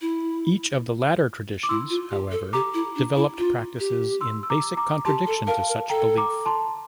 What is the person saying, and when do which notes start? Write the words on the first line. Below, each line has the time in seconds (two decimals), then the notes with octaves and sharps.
Each of the latter traditions, however, developed practices in basic contradiction to such belief.
0.01 E4
1.63 D6
1.69 E4 C6 E6
1.90 F4
2.11 G4
2.32 A4
2.53 G4 A#5 D6
2.74 E4
2.96 D4
3.16 E4
3.38 F4
3.80 G4
4.21 C6 E6
4.43 E6
4.50 A#5 D6
4.77 A#5 D6
5.05 G4 A5 C6
5.27 A4
5.47 A#4 F5 A5
5.69 A#4
5.89 A4 G5 A#5
6.18 A#5 D6
6.46 A5 C6